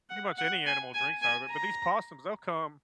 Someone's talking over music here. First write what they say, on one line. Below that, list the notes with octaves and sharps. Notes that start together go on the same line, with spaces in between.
pretty much any animal drinks out of it, but these possums, they'll come
F#5
F#5
G#5
G#5
G#5
A#5